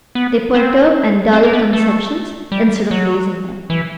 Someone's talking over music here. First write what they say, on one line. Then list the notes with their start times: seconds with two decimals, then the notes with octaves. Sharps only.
They perturb and dull conceptions instead of raising them.
0.15 B3
0.55 C4
1.33 C4
1.43 A#3
1.53 B3
1.73 A3
2.52 G3
2.91 F#3
3.70 E3